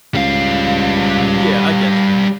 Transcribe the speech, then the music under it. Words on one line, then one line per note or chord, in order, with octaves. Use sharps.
Yeah, I get you.
C#2 G3 F5